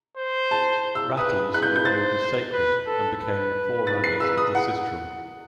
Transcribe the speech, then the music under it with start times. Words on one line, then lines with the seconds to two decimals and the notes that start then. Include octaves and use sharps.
Rattles were viewed as sacred and became the forerunners of the sistrum.
0.17 C5
0.51 A5
0.95 E6
1.17 B4 D#6
1.52 B4 F#6
1.63 G6
1.76 G6
1.85 C5 A6
2.53 B4
2.86 A4
3.20 B4
3.87 A6
4.04 C7
4.20 E6
4.38 D#6
4.55 F#5